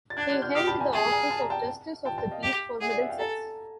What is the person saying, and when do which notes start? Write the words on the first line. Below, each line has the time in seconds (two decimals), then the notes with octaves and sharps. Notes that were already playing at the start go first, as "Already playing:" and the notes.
He held the office of Justice of the Peace for Middlesex.
0.10 A6
0.17 D4 F#6 G#6
0.30 F#6 G#6
0.42 F6 G6
0.55 G4 D#6 F6
0.67 A5 B5
0.80 G#5 A#5
0.93 G#4 G5 A5
1.12 G#5 A#5
1.30 A5
1.41 A#5
1.50 G5 A5
2.05 G5 A5
2.18 G5 A5
2.31 D#5 F5
2.43 G4
2.81 G#4 E5 F#5
2.91 D5
3.00 E5 F#5
3.09 F5 G5
3.18 A4 G#5 A#5